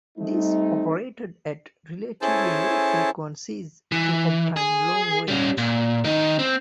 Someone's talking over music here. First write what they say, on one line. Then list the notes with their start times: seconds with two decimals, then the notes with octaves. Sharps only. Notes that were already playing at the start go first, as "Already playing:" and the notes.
This operated at relatively low frequencies to obtain long range.
0.18 G3 A3 C4 D#4
2.21 C#4 E4 G#4 A4 C5 A5
3.92 E3
4.56 G#4
5.28 G3 C#4
5.58 A#2
6.05 D#3 D#4
6.39 C4